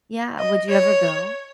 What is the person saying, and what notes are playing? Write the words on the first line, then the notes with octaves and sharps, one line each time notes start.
Yeah, would you ever go?
D#5
C#5